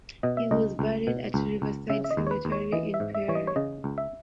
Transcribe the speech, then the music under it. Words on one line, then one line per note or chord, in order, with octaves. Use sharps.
He was buried at Riverside Cemetery in Pierre.
B2 D#5
E5
C#2 D#5
C#2
B2
C#2
C#2
C#3 E5
E5
D#5
D#2
C#5
B4
D#2
C#5
E3 D#5
E5
G#2
E5
E3 C#5
D#5
C#5
C#3 D#5
C#2
E5